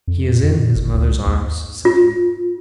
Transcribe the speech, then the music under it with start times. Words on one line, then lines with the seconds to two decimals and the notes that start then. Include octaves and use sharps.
'He is in his mother's arms,' said he.
0.08 F2
0.29 A#2
0.43 F2
0.59 A#2
0.76 G1
0.94 D2
1.10 C2
1.27 D#2
1.85 F4